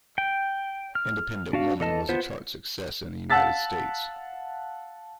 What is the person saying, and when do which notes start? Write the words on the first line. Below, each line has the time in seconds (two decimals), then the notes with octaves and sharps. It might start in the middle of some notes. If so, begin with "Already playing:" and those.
"Independent Women" was a chart success in the United States.
0.18 G5
0.95 F6
1.53 D4 F#4 F5
1.80 E3 A4 D#5 A5
2.09 B3 F4 C5
3.30 F5 F#5 A5 E6 A6 B6